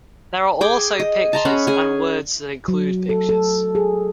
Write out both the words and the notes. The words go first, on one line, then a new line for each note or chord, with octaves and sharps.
There are also pictures, and words that include pictures.
G#4 G5 D6
D#5
A5 A#5 C6
C#4 G#4 F#5 B5
G#4 G#5
F#3
A4
A4
G#4